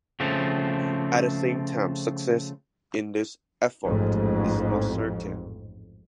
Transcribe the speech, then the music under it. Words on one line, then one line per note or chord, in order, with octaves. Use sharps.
At the same time success in this effort is not certain.
C#3 F3 A3 C4
A1 F2 G#2